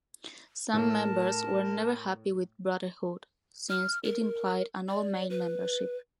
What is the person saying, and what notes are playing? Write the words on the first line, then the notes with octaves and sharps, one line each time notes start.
Some members were never happy with "brotherhood", since it implied an all-male membership.
A2 A3 A#4 A5
F6
A#4
D5
B4